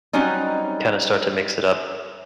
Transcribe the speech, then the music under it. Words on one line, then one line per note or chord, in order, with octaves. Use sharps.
kinda start to mix it up.
F#3 G3 C4 C#4 D#4